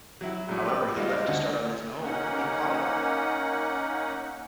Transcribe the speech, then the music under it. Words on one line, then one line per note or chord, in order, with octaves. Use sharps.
However he left to start on his own in Vaudeville.
F#3 E4 F#4
A#1 A2
G4 B4
G3 G#3 D#4 F4 F#4
C5 D5 D#5 F5
D2 D3 D#5 F#5
A#3 C#4 D#4 F#5